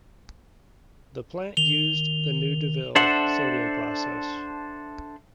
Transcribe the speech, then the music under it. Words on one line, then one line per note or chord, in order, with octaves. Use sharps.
The plant used the new Deville sodium process.
D#3 F7 G7
D4 A4 C5 E5 F#5